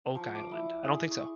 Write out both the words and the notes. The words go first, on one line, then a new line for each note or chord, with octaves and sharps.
Oak Island, I don't think so.
F3
D6
E4
G#4
C#6